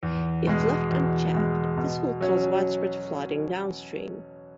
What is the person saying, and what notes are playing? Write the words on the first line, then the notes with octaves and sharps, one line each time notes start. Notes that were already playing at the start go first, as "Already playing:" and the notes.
If left unchecked, this will cause widespread flooding downstream.
E2
B2 G#3
E2
B2 G#3
B2
F#3 C#4